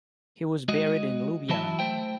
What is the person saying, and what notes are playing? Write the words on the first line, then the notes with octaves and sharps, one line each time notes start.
He was buried in Ljubljana.
G#3 F#4 D#5
E3 F#3 E4 A5
A3 C5 G5